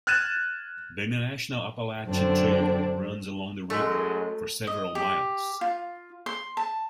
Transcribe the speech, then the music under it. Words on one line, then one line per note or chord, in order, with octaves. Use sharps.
The International Appalachian Trail runs along the river for several miles.
F6 F#6 G#6 A6 D#7 E7
F#2 D3 C4 D4
F#2 F#3 G#3 A3
D#5
G4
F4
C6
A5